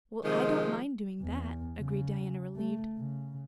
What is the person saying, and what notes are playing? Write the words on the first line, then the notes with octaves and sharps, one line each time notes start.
"Well, I don't mind doing that," agreed Diana, relieved.
C3 D#3 F3 G#3
E2
C#3
A3
C#3